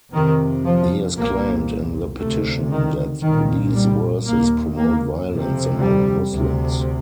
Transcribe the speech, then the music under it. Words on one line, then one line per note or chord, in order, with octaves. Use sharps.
He has claimed in the petition that these verses promote violence among Muslims.
F2 C3 D#3
F3
C2 A#2 A#3
D2 C3 A3
D#3
C2 A#2 D#3
G3
D#2 A#3
A#3
F2 C3
G3
D2 C3